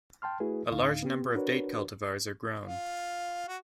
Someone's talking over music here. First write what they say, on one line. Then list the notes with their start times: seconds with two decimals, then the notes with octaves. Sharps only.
A large number of date cultivars are grown.
0.22 G5 A5 C6 F6
0.40 A3 E4 F#4 G#4 B4
0.71 D2 A2 D3 D#4 F5
1.03 B3 G4
1.35 D4 F#4 A#4 B4 C#5
2.66 F4
3.48 F#4